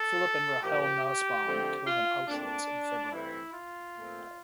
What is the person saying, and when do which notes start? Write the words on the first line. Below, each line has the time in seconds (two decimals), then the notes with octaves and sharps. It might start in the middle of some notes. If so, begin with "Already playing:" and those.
Philipp and Rahel Nussbaum were killed at Auschwitz in February.
Already playing: A4
0.63 A#2 F3 A#3 G4
1.46 D3 F3 A3 C4
1.87 F4
2.28 A#2 A3 C4 D4
3.12 G2 E3 A3 C4 E4
3.53 F4
3.95 A#2 A3 C4